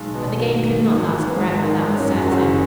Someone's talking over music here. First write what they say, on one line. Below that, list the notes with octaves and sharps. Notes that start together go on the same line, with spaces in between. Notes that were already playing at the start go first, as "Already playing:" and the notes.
But the game could not last forever, that was certain.
Already playing: B1 G#3
B2
G#1
D#3
G#1
G#2
B3
G#1 G#3
D#3
G#1 G#3
C#4
F#2 G#4
F#4
F#1 G#4